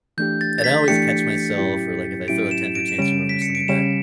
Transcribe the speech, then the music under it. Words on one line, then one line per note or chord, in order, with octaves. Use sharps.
And I always catch myself or, like, if I throw a temper tantrum over something that
E3 A3 D4 G4 G6
A6
A6
B6
E3 A3 D4 G4 C#7
A2 F#3 C#4 E4 G4
A2 F#3 C#4 E4 G4 D7
E7
D7
E7
C#3 G3 C#4 D7
B6
C#7
D7
C#3 G3 C#4 E7